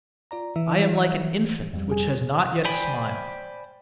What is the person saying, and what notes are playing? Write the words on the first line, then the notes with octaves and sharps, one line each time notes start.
I am like an infant which has not yet smiled.
F4 D5 A#5
E3 E5
F2 G3
G#4
C5 D5 G5 G#5 B5